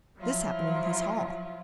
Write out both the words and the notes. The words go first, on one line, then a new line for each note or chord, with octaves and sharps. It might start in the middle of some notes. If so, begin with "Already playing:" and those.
This happened in his hall.
F3 F#3 E4 F4